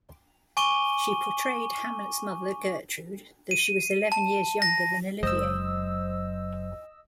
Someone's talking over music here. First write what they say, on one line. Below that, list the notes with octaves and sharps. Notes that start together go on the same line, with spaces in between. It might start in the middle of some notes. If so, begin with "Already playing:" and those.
She portrayed Hamlet's mother, Gertrude, though she was eleven years younger than Olivier.
G#5 C#6 D6 D#7 G7
D#7
A5
A#6
F#1 F#3 G#3 C5 D#5 E6